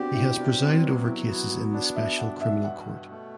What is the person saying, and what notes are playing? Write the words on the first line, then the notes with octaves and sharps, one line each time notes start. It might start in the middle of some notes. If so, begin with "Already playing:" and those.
He has presided over cases in the Special Criminal Court.
Already playing: B3 C4 D4 F#4 G4
E4
C3 D4
C4
F#3 B3
E4
B3 F#4
F#4
D4 D5
E5
G2 F#5
E5
B2 F#5
A3